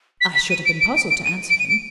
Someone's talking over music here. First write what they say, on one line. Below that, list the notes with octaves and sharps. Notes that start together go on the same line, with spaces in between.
I should have been puzzled to answer him.
B6
B6
D#7
D7
D7
D7
D7
D#7
D7
D#7
D7